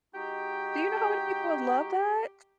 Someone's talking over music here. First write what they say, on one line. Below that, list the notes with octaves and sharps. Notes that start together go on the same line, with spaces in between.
Do you know how many people would love that?
G#3 D#4 F#4 G4 G5